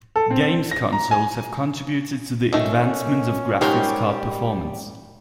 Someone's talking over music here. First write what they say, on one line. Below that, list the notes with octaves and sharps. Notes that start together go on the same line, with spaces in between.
Games consoles have contributed to the advancement of graphics card performance.
A4
C4
A#6
A#5
G#5
D#3 A3 C#4
G#2 G3 G4 A#4 C5 C#5 F#5